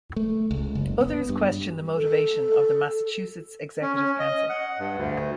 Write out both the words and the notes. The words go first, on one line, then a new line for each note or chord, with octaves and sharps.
Others question the motivation of the Massachusetts Executive Council.
A3
C#2
F#1
B3
G2
A4
C#4
C#4
D#5
F#5
G2
D2